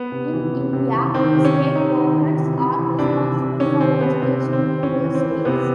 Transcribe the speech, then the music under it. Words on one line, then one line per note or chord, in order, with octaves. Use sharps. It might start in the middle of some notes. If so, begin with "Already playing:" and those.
In India, the state governments are responsible for education in their states.
Already playing: B3
C3
E3
C3
C3
E3
D#3 C4
C3
C#4
C3
C3 D#4
D#3
C3
E3
C3
E3
C3 D4
E3
C3
D#3 C#4
C3 C4
C3 B3
C3 C4
D#3
C4
C3
E3 C#4
E3
C4
E3
C3 B3